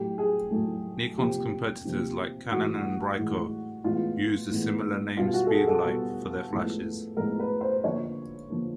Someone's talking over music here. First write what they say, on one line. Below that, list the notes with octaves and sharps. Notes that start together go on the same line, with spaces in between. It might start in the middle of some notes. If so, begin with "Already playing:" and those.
Nikon's competitors like Canon and Ricoh use the similar name Speedlite for their flashes.
Already playing: A2 F#3 A3 G4
G#4
A2 F#3 A3
C3 F3 A#3 G4
C3 F3 A#3
A2 E3 G#3 F#4
A2 E3 G#3
A2 E3 G#3 B3 F4
A2 E3 G#3 B3
B2 G3 B3 F4
F#4
A4
G#4
A4
B2 G3 B3
A2 F3 G#3 B3
A2 F3 G#3 B3 A#4
B4
C5
D3 F3 A#3 C#5
D3 F3 A#3